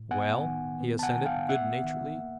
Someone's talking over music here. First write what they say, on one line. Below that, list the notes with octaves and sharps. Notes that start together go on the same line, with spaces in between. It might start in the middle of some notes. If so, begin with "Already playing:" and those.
"Well?" he assented, good-naturedly.
Already playing: A2
B3 F#5 G#5
D#3
B3
A5
F#5 G#5
D#3
F5 G5
B3 E5 F#5
D#3
A#3